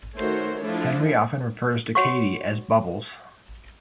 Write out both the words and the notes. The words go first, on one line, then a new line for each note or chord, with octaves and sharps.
Henry often refers to Katie as Bubbles.
D#3 A3 F#4 C5 C#5
F3 A3 D4 E4
F#4 C#5 F#5 C6 C#6